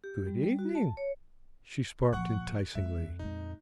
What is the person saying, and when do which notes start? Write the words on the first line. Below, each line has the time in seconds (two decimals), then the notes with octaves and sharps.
"Good evening," she sparked enticingly.
0.04 G4
0.27 G3
0.44 G3
0.59 F#4
0.75 A5
0.97 C#5
2.13 A#2 F3 F#5 C#6 F#6
2.75 F2 G3 G#3 E5
3.19 A#2 G#3 D#4